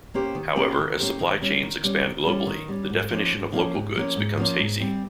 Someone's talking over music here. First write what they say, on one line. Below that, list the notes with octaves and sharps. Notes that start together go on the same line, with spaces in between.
However, as supply chains expand globally, the definition of local goods becomes hazy.
A#3 C#4 G4 C5
D#3
A#3 C#4 G4 C5
D#3
A#3 C#4 G4 C5
D#3
G3 C#4
D#3
G3 C#4
D#3
G3 C#4
D#3
G3 C#4
G#2
F3 A#3 C#4
G#2
F3 A#3 C#4
G#2
F3 A#3 C#4
G#2
F3 A#3 C#4
G#2
G3 C4